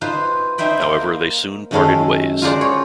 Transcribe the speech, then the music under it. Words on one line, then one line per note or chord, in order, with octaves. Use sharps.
However, they soon parted ways.
D#4 F4 B4 C5
D#4 C5 E5 G5 B5
A#3 F5
F#2 D#3 G#3 A4 C#5 F5
F4 G#4 A#4 C5 D5 F#5
C#5